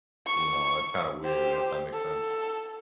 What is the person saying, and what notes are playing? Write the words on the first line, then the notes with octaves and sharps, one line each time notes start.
you know, it's kinda weird, if that makes sense.
C#6
G4 C5
A4